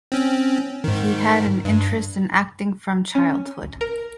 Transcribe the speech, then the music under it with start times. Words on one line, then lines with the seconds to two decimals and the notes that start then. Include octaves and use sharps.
He had an interest in acting from childhood.
0.12 C4 C#4
0.84 G#2 D#3
1.65 G2
3.15 C#4
3.81 A#4